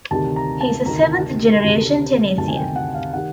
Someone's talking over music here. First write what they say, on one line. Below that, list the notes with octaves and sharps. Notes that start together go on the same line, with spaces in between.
He is a seventh-generation Tennessean.
D2 C3 D#3 G3 A5
A#5
A5
D2 C3 D#3 G3 A#5
D2 C3 D#3 G3
D2 C3 D#3 G3 A5
G#5
G5
F#5
F5
D#3 G3 F#5